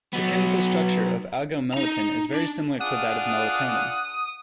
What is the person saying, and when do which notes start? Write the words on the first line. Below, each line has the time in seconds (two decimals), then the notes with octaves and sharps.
The chemical structure of agomelatine is very similar to that of melatonin.
0.13 F#3 B3
1.74 D#4 A#5
2.34 D4
2.80 D4 F4 G#4 F#5 D#6